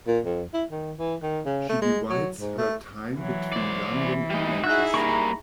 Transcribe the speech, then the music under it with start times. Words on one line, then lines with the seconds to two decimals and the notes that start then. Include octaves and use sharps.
She divides her time between London and Manchester.
0.07 A#2
0.25 F2
0.53 E4
0.71 D#3
0.98 E3
1.22 D#3
1.45 C#3
1.69 A3
1.82 G#3
2.10 F#3
2.40 G#2
2.58 A3
3.17 E3 F#3
3.52 C5 D5
3.93 E3
4.30 G3 D#4
4.64 D#4 E4 F#4 G#4 E5 F#6
4.94 G3 A#3 A#5 B5 C#6